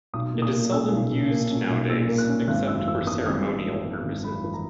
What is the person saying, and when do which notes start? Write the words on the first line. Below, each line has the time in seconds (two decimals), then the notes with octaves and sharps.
It is seldom used nowadays except for ceremonial purposes.
0.13 B1 D#6
0.34 A#2
0.42 D#6
0.52 A#3
0.72 C#4 E6
0.92 B1
1.11 A#2
1.30 A#3
1.51 C#4
1.69 B1
1.90 A#2 E6
2.09 A#3
2.18 F#6
2.28 C#4
2.48 G#1 F#6
2.67 F#2 E6
2.87 E3 E6
3.07 B3 D#6
3.26 G#1 D#6
3.45 F#2
3.66 E3
3.85 B3
4.04 G#1
4.24 F#2 B5
4.44 E3
4.54 A#5